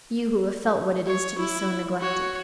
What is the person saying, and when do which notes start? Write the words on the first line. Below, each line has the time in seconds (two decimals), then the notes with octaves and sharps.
You who have felt what it is to be so neglected!
1.07 C#5
1.38 E4
1.98 F#4 C#5